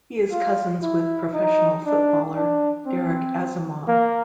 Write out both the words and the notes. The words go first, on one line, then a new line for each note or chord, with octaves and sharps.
He is cousins with professional footballer Derek Asamoah.
F4
E4
D#4
D4
D4
C4
A#3